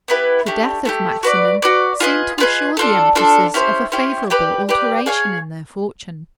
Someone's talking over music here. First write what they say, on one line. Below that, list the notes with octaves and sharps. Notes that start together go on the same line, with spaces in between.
The death of Maximin seemed to assure the empresses of a favourable alteration in their fortune.
B3 E4 G4 B4
A3 D4 G4
A3 D4 G4
F#4 B4 D5
F#4 B4 D5
F4 G#4 B4 D#5
F4 G#4 B4 D#5
D4 F4 A4
D4 F4 A4
C#4 E4 G4 C5
C#4 E4 G4 C5
G4 B4 D5 G5
G4 B4 D5 G5
G#4 C#5 F5 G#5